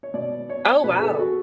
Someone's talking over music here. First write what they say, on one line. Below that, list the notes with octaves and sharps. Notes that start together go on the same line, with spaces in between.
Oh, wow.
C#5
B2 D5
C#5
B2 B4
G#4
A4
F#4